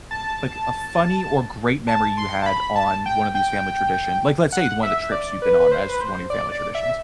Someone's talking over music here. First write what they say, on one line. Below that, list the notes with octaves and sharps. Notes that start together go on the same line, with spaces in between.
like, a funny or great memory you had on one of these family tradition? Like, let's say, one of the trips you've been on as one of your family traditions.
A5
A5
C6
A5
B5
A5
G5
G5
F#5
E5
D5
B4
B4
C5
B4
C5
D5
D5
E5